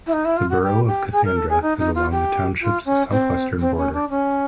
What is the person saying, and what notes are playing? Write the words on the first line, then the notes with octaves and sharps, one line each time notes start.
The borough of Cassandra is along the township's southwestern border.
E4
D#4
E4
F4
F#4
G4
G4
G#4
A#4
A4
G#4
D#4
D#4
F4
G4
F4
C#4
C4
C4
C#4
D4
C#4